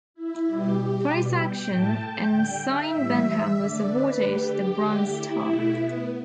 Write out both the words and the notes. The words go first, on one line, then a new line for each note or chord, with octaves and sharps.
For his action, Ensign Benham was awarded the Bronze Star.
E4
B2 G3 G4
G4
B2 G3
G5
A2 A3 A5
G5
D3 G3 G5
E5
A2 E3 G3
D3 A3 D5
B4
D3 A3 G4
G4
D3 A3
E4
B2 A3
B3